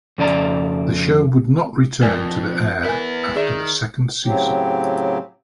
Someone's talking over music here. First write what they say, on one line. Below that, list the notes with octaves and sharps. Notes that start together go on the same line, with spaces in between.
The show would not return to the air after the second season.
F2 C#3 D5 A5 A#5
F2 A#4 D5 G#5
B3 E4 A#4 G#5
D#3 G#4 D5 E5
A2 C#3 F#3 C4 G4